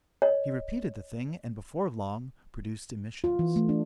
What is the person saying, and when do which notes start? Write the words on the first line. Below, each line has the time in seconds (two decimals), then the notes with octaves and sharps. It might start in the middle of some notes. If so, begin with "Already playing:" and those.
He repeated the thing and before long produced emissions.
0.22 C#5 D#5
3.24 F4
3.39 E3
3.56 A3
3.69 D4